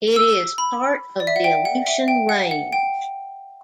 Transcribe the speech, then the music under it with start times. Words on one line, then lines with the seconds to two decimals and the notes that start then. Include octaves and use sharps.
It is part of the Aleutian Range.
0.16 E6
0.58 B5
1.20 D5
1.27 E5
1.36 F#5
1.44 G5
1.65 F#5
1.86 E5
2.08 G5
2.29 F#5
2.51 F#5
2.72 G5